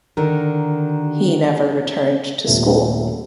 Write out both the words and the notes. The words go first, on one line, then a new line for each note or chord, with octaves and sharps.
He never returned to school.
D3 D#3 A#4
D#1 A3 B3